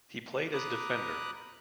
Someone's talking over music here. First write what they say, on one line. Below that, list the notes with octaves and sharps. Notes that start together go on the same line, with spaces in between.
He played as defender.
A#5 B5 D6 D#6 F#6